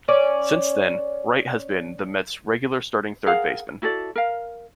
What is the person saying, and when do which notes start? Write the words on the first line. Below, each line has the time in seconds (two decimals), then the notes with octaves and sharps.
Since then, Wright has been the Mets regular starting third baseman.
0.08 C#4 D5
3.26 G#4 A#4 F5 F#5
3.82 E4 F#4 A4 D5
4.16 A#4 F5